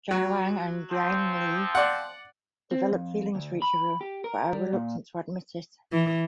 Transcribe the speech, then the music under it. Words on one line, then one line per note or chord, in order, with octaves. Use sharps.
Ji-hwan and Gyung-hee develop feelings for each other but are reluctant to admit it.
F#3
F3 C4
D5 F#5
C4
F2
D2
B5
G4
A#4
G3
A#2
E3